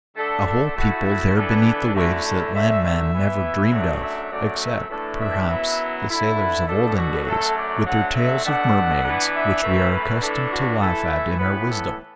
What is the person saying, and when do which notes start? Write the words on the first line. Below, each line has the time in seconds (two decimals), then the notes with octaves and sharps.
"A whole people there beneath the waves that land-man never dreamed of--except, perhaps, the sailors of olden days, with their tales of mermaids, which we are accustomed to laugh at in our wisdom!"
0.16 D3 A3 D4 A4
0.46 A4
0.76 A2 A3 E4 F#4
1.06 F#4
1.35 E3 B3 D4 A4
1.94 F#2 D3 A3 E4 F#4
2.23 A4
2.53 F#2 D3 A3 E5
2.83 E5
3.12 E3 B3 E4
3.71 F#2 F#3 A3 D4
4.01 E5
4.30 F#2 F#3 A3 D5
4.60 E5
4.89 A2 E3 A3 D4 A4
5.19 E5
5.48 F#2 F#3 B3 E4
6.07 D3 A3 E4
6.38 B4
6.66 B2 A3 D4 A4
6.96 F#4
7.25 F#2 F#3 A3 A4
7.55 D5
7.85 D3 F#3 A3 F#5
8.14 E5
8.44 B2 A3 D4 F#5
9.03 E3 B3 D4
9.32 E5
9.62 F#2 E3 A3 E4
9.92 B4
10.20 A2 E3 D4 A4
10.50 F#4
10.80 E3 A3 E4 A4
11.10 E5
11.38 A2 E3 B3 B4
11.69 A4